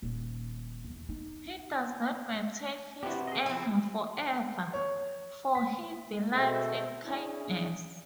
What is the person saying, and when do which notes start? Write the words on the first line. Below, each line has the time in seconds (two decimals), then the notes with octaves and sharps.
He does not maintain His anger forever, for He delights in kindness.
0.02 D#1
0.90 E2
1.09 D#4
3.03 C3 B3 E4 F#4 G4
3.27 G#4 D#5
3.46 F3 C4 E4 G#4
4.74 C#5
5.55 B6
6.32 B2 G#3 A3 C4 A4 C5
7.04 C#4 D4 E4 G#4